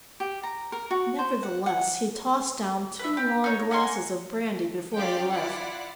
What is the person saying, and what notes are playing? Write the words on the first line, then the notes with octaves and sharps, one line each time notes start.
Nevertheless, he tossed down two long glasses of brandy before he left.
G4
A#5
A#4
F#4
C5
F#5
F#5
B4 E5
G4
D#4 C#5
D#5 F#5 G#5 C6
C#4 F4 G4 D5 F5 G5
E4 F4 D5 F#5